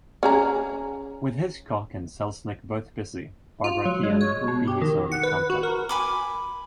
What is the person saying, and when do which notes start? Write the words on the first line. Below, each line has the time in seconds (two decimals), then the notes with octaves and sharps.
With Hitchcock and Selznick both busy, Barbara Keon would be his only contact.
0.23 C#4 G#4 A#5
3.64 F4
3.85 F#3
4.03 G#3
4.21 C#5
4.48 B2
4.68 G4
4.82 D#3
5.12 F#5
5.23 B4
5.50 F#4
5.63 A#4
5.89 G#5 B5 D6